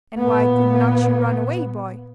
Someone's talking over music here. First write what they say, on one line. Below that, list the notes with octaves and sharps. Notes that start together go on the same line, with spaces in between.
'And why could not you run away, boy?'
A#2 B3